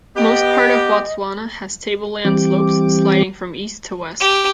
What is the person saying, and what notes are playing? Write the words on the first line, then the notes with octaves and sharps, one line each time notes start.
Most part of Botswana has tableland slopes sliding from east to west.
B3 G4 D#5
E3 G3 C4 G4 D6
G4